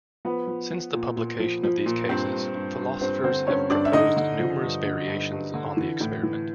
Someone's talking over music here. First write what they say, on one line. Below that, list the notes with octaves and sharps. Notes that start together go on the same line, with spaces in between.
Since the publication of these cases, philosophers have proposed numerous variations on the experiment.
F3 B3 B4
F3
F3
A#2
A#2
F3
F3
A#2
G2 C4 C5
G2
G2
G2
G2 C4 C5
D3 C4 C5
G2 C#4 C#5
G2 D4 D5
E5
D3 D#4 D#5
D3
F3
G2
D3
G2
G2
D3
E3
A2
E3